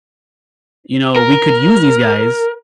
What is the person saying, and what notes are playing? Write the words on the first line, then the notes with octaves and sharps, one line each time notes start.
you know, we could use these guys
A#4